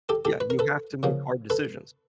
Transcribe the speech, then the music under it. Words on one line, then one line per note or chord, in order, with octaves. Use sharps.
Yeah, you have to make hard decisions.
G4 A4
G4 A4
B4
A#4
A4 B4
C#3 F3 A#3
A4 B4